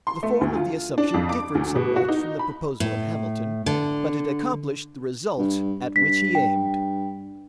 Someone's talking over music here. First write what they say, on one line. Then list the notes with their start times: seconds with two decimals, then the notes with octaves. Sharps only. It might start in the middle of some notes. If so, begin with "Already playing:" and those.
The form of the assumption differed somewhat from the proposal of Hamilton, but it accomplished the result at which he aimed.
0.07 C6
0.23 A3
0.41 D2
0.55 F4
0.98 D4
1.14 F2
1.29 D6
1.55 D2
1.76 B2
1.96 F#4
2.08 D#4
2.39 B5
2.80 A2
3.66 D3
5.38 G2
5.96 G2 B6
6.35 G5